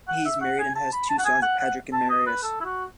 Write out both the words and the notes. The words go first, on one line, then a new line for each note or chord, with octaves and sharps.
He is married and has two sons, Patrick and Marius.
F#5
E5
F#5
G#5
A5
B5
A5
F#5
G#5
F#5
F#5
A5
D#5
B4
A4
E4
F#4